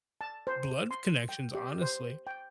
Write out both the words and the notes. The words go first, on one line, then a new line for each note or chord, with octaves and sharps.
blood connections, honestly.
A5
C5
C6
G5
G4
C5
G5